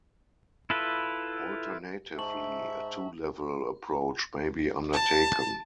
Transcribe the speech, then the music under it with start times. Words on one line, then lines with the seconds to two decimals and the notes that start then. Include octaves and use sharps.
Alternatively, a "two-level" approach may be undertaken.
0.70 E4 F4 A4 B4
2.18 G#2 E5 A5 C#6 F#7
4.93 A5